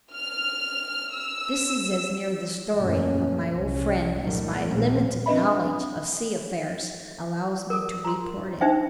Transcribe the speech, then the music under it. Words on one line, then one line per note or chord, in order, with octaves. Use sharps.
This is as near the story of my old friend as my limited knowledge of sea affairs allows me to report it.
F6
E6
F#1 E2 A#2 A3 A#3 C#4
C2 C#4
G2 A#2 D#3 F#3 G3 A3
A#1 D#2 A#2 A3 A#3 C4
C4 D4 B4 D#5 E5 B5
A4 A#4
A#5 C6
D4 D#4 C5 E5 G5